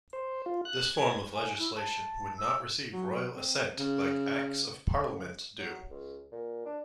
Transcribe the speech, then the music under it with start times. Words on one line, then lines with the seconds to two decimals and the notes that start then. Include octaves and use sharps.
This form of legislation would not receive royal assent like Acts of Parliament do.
0.13 C5
0.46 F4
0.65 F#6
0.95 G#6
1.34 G#5
1.58 E4
1.76 A5
2.38 E6
2.93 F#3
3.36 C4
3.79 C#3
5.06 C#3
5.59 F#3
5.91 C#2
6.32 A#2
6.66 D4